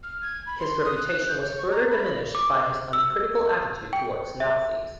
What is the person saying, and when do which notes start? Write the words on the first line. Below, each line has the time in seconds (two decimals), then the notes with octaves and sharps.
His reputation was further diminished by his uncritical attitude toward the Nazis.
0.03 F6
0.22 G#6
0.46 B5
0.59 C6
0.84 D#6
0.96 F#6
1.12 F#6
1.27 G6
1.43 C#5
1.58 C#6
1.71 A#5
1.90 B5
2.35 D6
2.93 E6
3.93 G5
4.40 E5